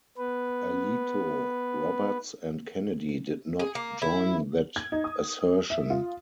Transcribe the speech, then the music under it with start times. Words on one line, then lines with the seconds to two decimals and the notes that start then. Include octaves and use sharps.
Alito, Roberts, and Kennedy did not join that assertion.
0.18 B3 B4
3.59 G#4
3.75 A#3
4.02 E4
4.76 G#6
4.92 D#4
5.04 D#6
5.70 E5
5.90 F4